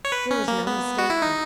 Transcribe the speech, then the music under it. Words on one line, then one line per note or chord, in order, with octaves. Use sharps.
There was no mistaking.
C#5
B4
C#4
A#3
B3
F#4
E4
D#4